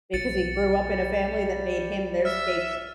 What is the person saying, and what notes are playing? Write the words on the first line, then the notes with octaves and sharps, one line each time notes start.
because he grew up in a family that made him their scapegoat.
B1 A6 C#7
G3
E5 E6 F6